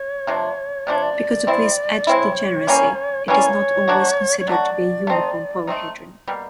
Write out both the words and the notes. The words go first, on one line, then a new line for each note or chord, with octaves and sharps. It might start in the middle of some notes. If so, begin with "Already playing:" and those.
Because of this edge-degeneracy, it is not always considered to be a uniform polyhedron.
Already playing: C#5
C3 F3 A3 D4
C3 F3 A3 D4 D5
C#5
D5
G#3 C4 E4
G#3 C4 E4 C#5
E3 G3 A#3 C#4
E3 G3 A#3 C#4 C#5
D5
C#5
F#3 A3 D4 F#4
C#5
F#3 A3 D4 F#4 D5
A3 C4 D#4
A3 C4 D#4
B2 G3 A#3